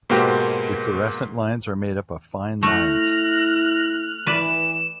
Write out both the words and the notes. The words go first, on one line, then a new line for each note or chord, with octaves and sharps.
The fluorescent lines are made up of fine lines.
G#2 B2 A#3 F#4 G4 C5
A3 E4 F6 F#6 A#6
E3 B4 D5 E7